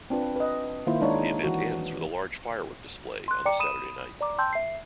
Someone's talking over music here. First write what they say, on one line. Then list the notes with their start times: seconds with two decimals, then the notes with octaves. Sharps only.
The event ends with a large firework display on the Saturday night.
0.10 C4 D4 F4 B4
0.36 B4 D#5
0.86 D#3 A#3 E4 F4 C5
1.01 G#3 D4 D#4 C#5
1.43 E3 F#4
3.28 C6 F#6
3.46 D5 G5 A#5 D6 C#7
3.60 B5 D#6 D#7 E7
4.21 D5 A#5 D6
4.38 G5 A5 C6 E6 G6
4.53 E5 C7